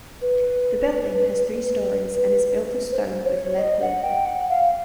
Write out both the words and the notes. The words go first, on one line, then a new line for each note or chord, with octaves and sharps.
The building has three storeys and is built of stone with a lead roof.
B4
B4
C5
C#5
D#5
F#5
G5
F#5
F5